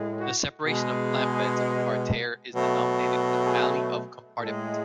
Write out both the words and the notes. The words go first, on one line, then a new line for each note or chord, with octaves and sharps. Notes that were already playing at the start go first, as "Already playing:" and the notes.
The separation of plant beds of a pareterre is denominated an "alley of compartiment".
Already playing: A2 G#3
F#4
B2 G#3 G#4
B2 F#3 A3
G#4
A2 G#3 A4